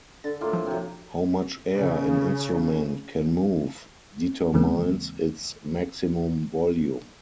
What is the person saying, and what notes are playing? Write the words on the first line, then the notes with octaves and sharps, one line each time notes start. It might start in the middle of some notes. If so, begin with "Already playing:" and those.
How much air an instrument can move determines its maximum volume.
D3 A6
A2 A#3 F4
F3
C3 F#3
C#3
D#2 C#3 E3 G#3 A#3 C4